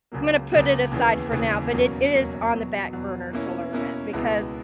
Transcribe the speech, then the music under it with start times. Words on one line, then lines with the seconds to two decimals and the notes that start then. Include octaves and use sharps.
I'm gonna put it aside for now, but it is on the back burner to learn it because,
0.12 C#2 C#3 F#3 A#3
0.52 C#2 C#3 F#3 A#3
0.91 D#2 C#3 E3 B3
1.31 D#2 C#3 E3 B3
1.71 E2 B2 F#3 A#3 C#4
2.12 E2 B2 F#3 A#3 C#4
2.52 E2 B2 F#3
2.93 E2 B2 F#3
3.33 B2 A#3 C#4 E4
3.73 B2 A#3 C#4 E4
4.13 C#2 B2 G#3 B3 E4